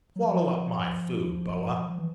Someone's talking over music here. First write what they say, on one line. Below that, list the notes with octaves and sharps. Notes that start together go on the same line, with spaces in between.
Swallow up my food, boa.
F#3
F3
F3
E3